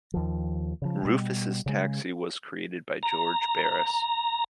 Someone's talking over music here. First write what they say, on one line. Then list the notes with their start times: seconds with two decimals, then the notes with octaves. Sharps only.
Rufus' taxi was created by George Barris.
0.14 D#2 F3
0.82 C#3 F3
1.03 B2 G3
1.66 C#3 G#3
3.03 A#5